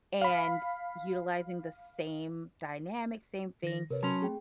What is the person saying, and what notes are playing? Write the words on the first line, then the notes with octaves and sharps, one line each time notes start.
and utilizing the same dynamic, same thing,
F5 B5
D#3 A#6
C3 A#4 B4 C#5
F#3 C#4 A5 B5 C6
A3 C4 G#4 G5